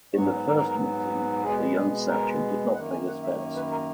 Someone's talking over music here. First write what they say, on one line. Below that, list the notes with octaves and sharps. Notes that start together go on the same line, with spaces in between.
In the first meeting, the young Sachin did not play his best.
G#2 F#3 B3 C#5
A#4
B2 G#3 B3 G#4
G#4
A#4
F#2 D#3 A#3 F#5
G#5
F#5
E5
C#5
B4
A#4